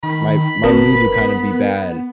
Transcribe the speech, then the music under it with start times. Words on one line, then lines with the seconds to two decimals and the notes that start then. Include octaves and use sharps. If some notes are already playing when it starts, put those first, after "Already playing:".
my my mood would kind of be bad,
0.03 D#3 B5
0.64 G1 C4 F#4 A#4 B4
1.21 B3